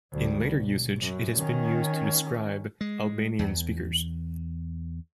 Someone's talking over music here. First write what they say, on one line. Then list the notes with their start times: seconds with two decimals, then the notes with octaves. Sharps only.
In later usage, it has been used to describe Albanian-speakers.
0.12 D2 G3
0.52 B1
1.00 F#2
1.36 D#3 C#4
2.81 G#3
3.39 E2